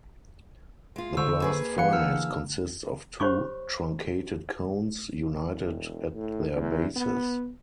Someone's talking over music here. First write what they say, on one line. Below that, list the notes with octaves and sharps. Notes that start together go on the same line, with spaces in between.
The blast furnace consists of two truncated cones, united at their bases.
G#3 F4
D3 C5 C#6 E6
A#3 G#4 B4
E3 F5 F#5 F#6 C#7
D4 E6 F6
G4 C5 C#5 B5 C#6 D6
E1
A2
E2
B3